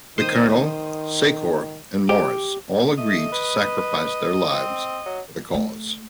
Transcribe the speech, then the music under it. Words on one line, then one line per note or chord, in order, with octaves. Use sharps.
The Colonel, Secor, and Morris all agree to sacrifice their lives for the cause.
D#3 C5 D#6
G4
A3 D#5
B4
C4
F#3
A3